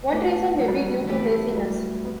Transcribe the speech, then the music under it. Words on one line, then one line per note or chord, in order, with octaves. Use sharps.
One reason may be due to laziness.
A3 B3 D4 A4 D5
F#3
G3
F#3
D3
E3 A3 E4 G4 B4 D5
F#3
G3
B3